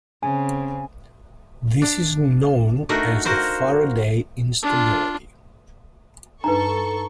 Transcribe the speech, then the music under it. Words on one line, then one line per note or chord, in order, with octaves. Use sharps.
This is known as the Faraday instability.
C#3 C4 G#5
D4
A3 D4 D#4 F#4 A#4
F#4 A#4 C5 F5
D4 F4
G2 D4 D#4 A4 B4 A#5 C#6